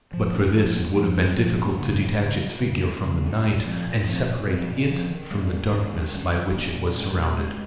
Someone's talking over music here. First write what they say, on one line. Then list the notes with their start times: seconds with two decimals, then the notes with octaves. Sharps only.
But for this it would have been difficult to detach its figure from the night, and separate it from the darkness by which it was surrounded.
0.13 F3
0.34 A#3 C#4
0.55 F3
0.76 A#3 C#4
0.96 F3
1.17 A#3 C#4
1.37 F3
1.58 A#3 C#4
1.79 C#3
2.00 G3 C#4
2.20 C#3
2.41 G3 C#4
2.62 C#3
2.83 G3 C#4
3.04 C#3
3.24 G3 C#4
3.45 A#2
3.65 F3 C4
3.86 A#2
4.06 F3
4.11 C4
4.27 A#2
4.47 C4
4.52 F3
4.69 A#2
4.89 F3 C4
5.10 D#3
5.31 G3 A#3 C#4
5.51 D#3
5.72 G3 A#3 C#4
5.93 D#3
6.13 G3 A#3 C#4
6.34 D#3
6.54 G3 A#3 C#4
6.76 A#2
6.96 G#3 C#4
7.17 A#2
7.38 G#3 C#4